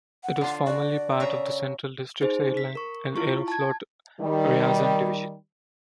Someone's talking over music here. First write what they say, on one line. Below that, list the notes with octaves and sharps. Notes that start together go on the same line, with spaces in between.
It was formerly part of the Central Districts Airlines and Aeroflot Ryazan division.
F#5
D3 F4
F#4 D5
C#3 E5 A#5
D#4 G#4 C5
B6
A#4 C#6
E4 F4 C#6
A5 G#6
D#3 G3